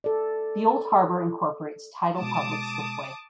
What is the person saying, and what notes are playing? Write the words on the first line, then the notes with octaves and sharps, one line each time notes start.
The Old Harbour incorporates tidal public slipway.
A4 D5
B2 G#3 A5 D6 D#6